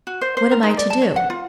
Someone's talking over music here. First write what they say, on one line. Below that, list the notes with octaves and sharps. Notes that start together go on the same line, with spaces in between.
"What am I to do?"
F#4
C5
C5
A#4
D#4
D5
A5
C#5
F#5
F4